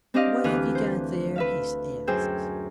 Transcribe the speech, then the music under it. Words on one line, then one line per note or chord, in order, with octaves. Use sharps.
"What have you got there?" he asked.
C4 D4 G4 D5 D#5 F5
D2 E3 B4 F6 F#6
C5
B4 E5 F5
F#2 G#4 C5 G5 E6